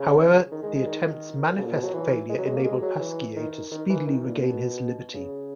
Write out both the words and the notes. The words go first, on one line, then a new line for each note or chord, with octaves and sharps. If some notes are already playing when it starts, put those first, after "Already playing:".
However, the attempt's manifest failure enabled Pasquier to speedily regain his liberty.
Already playing: C#3
D#3
G#3
G#3
D#3
C#3
B2
A#2
B2
F#3
E3
G#3
F#3
G#3
A#3
G#3
F#3
E3
D#3
D#3
E3
D#3
A#2
B2
C#3